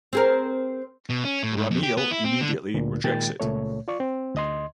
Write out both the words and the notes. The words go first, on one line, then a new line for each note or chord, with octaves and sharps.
Remiel immediately rejects it.
C4 G#4 A#4
B2
C#4
A2
G#2
F2
G4
B3
E4
C4
D3
D2 A#2
A#2 D#3 G#3 G5 A6
C#2 A#2 A3 C#5
F4 D5 C#6
C4
D2 D#5 C6